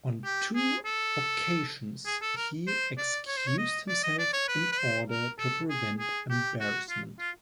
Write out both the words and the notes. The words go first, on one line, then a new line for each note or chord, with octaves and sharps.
On two occasions he excused himself in order to prevent embarrassment.
G4
G#4
A4
G#4
A4
A#4
C5
D5
C#5
C5
C#5
D#5
D5
D#5
D5
C#5
B4
B4
C5
A#4
A4
G#4
G#4
G4
F#4
F4
F4